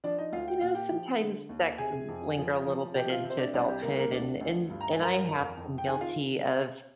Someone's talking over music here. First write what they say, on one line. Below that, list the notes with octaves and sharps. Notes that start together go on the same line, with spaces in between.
you know, sometimes that can linger a little bit into adulthood, and and and I have been guilty of,
F3 D4 D5
D#4 D#5
D2 F4 F5
G5
A#2 F5
G4 G5
F3
D3
D#2
C3 G#4 G#5
F2
F3
F3
C3 G4 G5
F4 F5
C3
C5
D4 D5
C2 D4 D5
G4
C2 A#3 A#4
A#3 A#4
D2 D4 D5
D2
G2
A#5
G#5
G2 A#4 A#5
F2
F2
G5
D#3 G#4 G#5
F4 F5